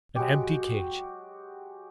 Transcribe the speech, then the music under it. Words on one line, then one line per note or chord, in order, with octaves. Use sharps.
An empty cage!
F#3 G#3 F#4 G4